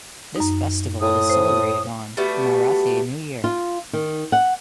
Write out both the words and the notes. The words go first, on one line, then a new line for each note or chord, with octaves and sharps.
This festival is celebrated on Marathi New Year.
F#2 D#4
A2 D#6
C5
G3 A3 B3 F#4
F4
D#3
F#5